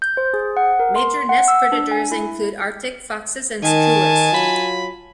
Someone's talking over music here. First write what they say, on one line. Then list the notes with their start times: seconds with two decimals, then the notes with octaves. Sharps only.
Major nest predators include Arctic foxes and skuas.
0.02 G6
0.17 C5
0.34 G#4
0.57 F#5
0.80 A#4
0.96 C6
1.29 F#5
1.48 E6
1.72 D4
1.91 G#5
2.12 E4
3.63 D#3 G#5 A5
4.33 F#3 F4 B5